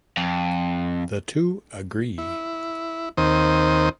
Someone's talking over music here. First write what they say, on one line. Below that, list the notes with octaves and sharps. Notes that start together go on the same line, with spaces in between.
The two agree.
F2
E4
D#2 D#3 C4 C5 D#6